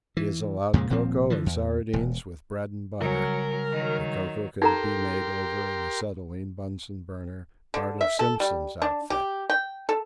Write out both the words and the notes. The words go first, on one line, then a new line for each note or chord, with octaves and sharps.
He is allowed cocoa and sardines with bread and butter--the cocoa can be made over an acetylene Bunsen burner, part of Simpson's outfit.
E3
F2 A#2 C#3 G#3
D#1 A#2 F3 C4
D3 E3 F3
E2
E1
C#3 F#3 G3 A#4 G#5
D#3 F#3
D#4 G4 A4 A#4 A#5 C6
D3
E5
A4
G3
D4
G4
G5
A4